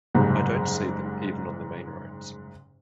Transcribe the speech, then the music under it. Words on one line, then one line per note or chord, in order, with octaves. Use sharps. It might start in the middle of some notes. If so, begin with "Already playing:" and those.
I dont see them even on the mainroads.
F#1 C2 G#2